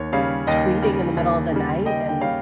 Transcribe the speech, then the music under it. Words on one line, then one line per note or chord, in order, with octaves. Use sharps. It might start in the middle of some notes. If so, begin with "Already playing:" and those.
tweeting in the middle of the night and
Already playing: D#2 C#5
C#3 G3 C#5 F5
D#2 D#5 G5
C#3 G3
D#2
C#3 G3
D#2 D#5 G5
G5
C#3 G3 C#5 F5